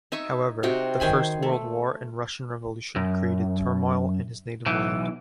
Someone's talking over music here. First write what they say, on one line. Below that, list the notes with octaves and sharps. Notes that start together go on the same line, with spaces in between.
However, the first World War and Russian Revolution created turmoil in his native land.
D#4 E5 G#5 C#6
C3 D#4 F#4 G5
D#3 C5 G#5 B5
A3
F#2
B1 E3